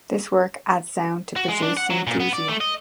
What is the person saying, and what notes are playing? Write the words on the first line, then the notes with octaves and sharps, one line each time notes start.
This work adds sound to produce synesthesia.
F#4
G#3
D4
F#5
F#3
A#2
B3
D5
A3
D#5